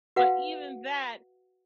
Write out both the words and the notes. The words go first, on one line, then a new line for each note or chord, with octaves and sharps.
But even that
F#4 B4 F5 F#5